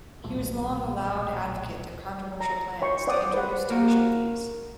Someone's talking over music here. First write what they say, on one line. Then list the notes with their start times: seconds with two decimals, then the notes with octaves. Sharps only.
He was long a loud advocate of controversial plans to introduce tuition fees.
0.24 D#1 B1 A2
2.41 A#5
2.82 C#5 G5 C6 C#6
3.07 C5 D5 F#5 G5 D6 D#6
3.34 B4 C5 F#5
3.70 A#3 F#4